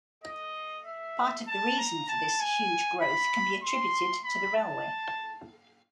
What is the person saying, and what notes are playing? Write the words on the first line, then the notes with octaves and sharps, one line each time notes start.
Part of the reason for this huge growth can be attributed to the railway.
D#5
E5
A5
A#5
A5
G#5
B5
C6
B5
A5